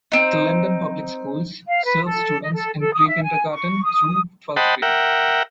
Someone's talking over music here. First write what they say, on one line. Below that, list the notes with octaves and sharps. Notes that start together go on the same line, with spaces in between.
The Linden Public Schools serve students in pre-kindergarten through twelfth grade.
C4 D#4
F5
B4
A4
D#5
A4
A4
D#6
E5
G#5
C#6
D#6
C5 D#5 F#5 G5 A5 B5
A#4 E5 F#5 G5